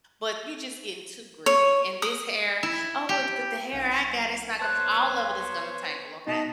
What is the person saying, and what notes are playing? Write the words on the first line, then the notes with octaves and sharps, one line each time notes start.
but you just getting too greedy, and this hair, "Oh, would but the hair I got, it's not gonna s" all of it is gonna tangle, okay?
C#5
D#6
E4
G4
B1 F5 F#5
B3 C5 C#5 A5 F#6
B2 B3 D#4 D#5 A5